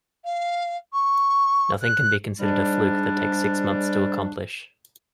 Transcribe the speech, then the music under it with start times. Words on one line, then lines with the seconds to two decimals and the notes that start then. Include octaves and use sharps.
Nothing can be considered a fluke that takes six months to accomplish.
0.25 F5
0.93 C#6
1.81 F#6
2.40 G#2 G3 D4